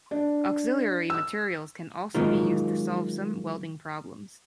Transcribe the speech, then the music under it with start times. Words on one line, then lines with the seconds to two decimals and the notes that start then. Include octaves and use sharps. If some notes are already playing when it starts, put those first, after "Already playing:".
Auxiliary materials can also be used to solve some welding problems.
0.11 D4
1.10 E6
2.15 D#3 F#3 G#3 A#3 D#4 F4